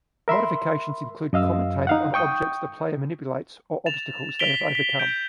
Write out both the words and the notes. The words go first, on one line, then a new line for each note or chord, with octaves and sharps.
Modifications include commentating on objects the player manipulates or obstacles they have overcome.
A#4 E5 B5 C6
F#2 D#5 F5 E6
D#4 F5 F#5
G5 C#6 D#6 G6
A6 E7 F7
B6 D7 F7 G7
B6
G6 D7